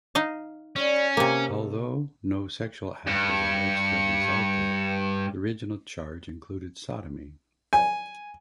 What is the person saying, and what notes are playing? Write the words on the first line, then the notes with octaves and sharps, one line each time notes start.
Although no sexual act was alleged to have resulted, the original charge included sodomy.
D#4 D#5 F5
G3 A3 B3 C#4
C3 A#3 D#4 A4
G2 C#7
G#5